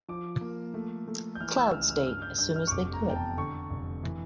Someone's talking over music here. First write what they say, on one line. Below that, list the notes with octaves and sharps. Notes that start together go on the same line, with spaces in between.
Cloud State as soon as they could.
F3 D6
A#3
A3
A3
G6
E3 F6
E6
C#2 F6
F6
G2 F6
G6
G2 G6
F6
C#6
F1 D6
A#5
E2
G5
A5
D3 C#6
F1
E3